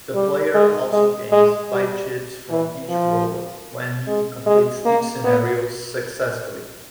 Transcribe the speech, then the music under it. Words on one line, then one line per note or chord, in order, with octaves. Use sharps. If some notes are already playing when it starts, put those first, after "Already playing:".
The player also gains bio-chips from each robot when he completes each scenario successfully.
G3
G#3
G#3
G#3
G3
E3
F3
G#3
G#3
A#3
B3